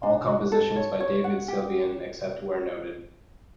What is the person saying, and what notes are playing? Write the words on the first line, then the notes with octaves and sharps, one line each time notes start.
All compositions by David Sylvian except where noted.
D4
F#4
A4
C#5
C#5
F#5
G4